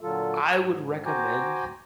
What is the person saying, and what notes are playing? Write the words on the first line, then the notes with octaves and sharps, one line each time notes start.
I would recommend
A#2 D3 F#3 F4 A4
G#2
F#4 C5 G5 G#5 A#5 D6